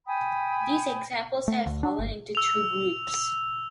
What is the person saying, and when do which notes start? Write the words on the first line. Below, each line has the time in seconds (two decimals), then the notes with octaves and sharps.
These examples have fallen into two groups.
0.06 G5 G#5 B5 D#6
1.48 A3
1.66 D2
1.83 D4
1.99 G1
2.35 E6 F7